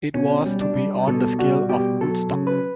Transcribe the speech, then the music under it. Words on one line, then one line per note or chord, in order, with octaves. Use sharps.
It was to be on the scale of Woodstock.
B2 C#4
G3
D4
G3
B2 A4
G3 F#4
B2 G4
F#3 A4
C#3
B4